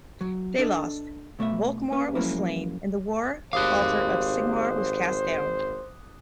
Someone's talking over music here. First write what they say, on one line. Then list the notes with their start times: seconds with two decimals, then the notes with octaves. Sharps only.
They lost, Volkmar was slain, and the war altar of Sigmar was cast down.
0.21 F#3
0.58 D4 A4 D#5
1.39 B2 A3 B3 C#5 E5
1.92 A#3 C#4 B4
2.15 F3 F#3 G#3 A#3 C#4 E4
3.53 G#1 G4 C5 F5 D6 D#6 F#6